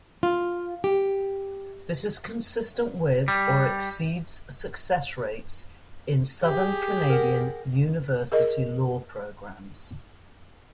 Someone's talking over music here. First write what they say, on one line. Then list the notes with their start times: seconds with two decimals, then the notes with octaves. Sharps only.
This is consistent with or exceeds success rates in southern Canadian university law programs.
0.23 F4
0.84 G4
3.28 G3
6.44 G4 G#4
7.10 A#4 F#5
8.32 G#4 A#4 D#5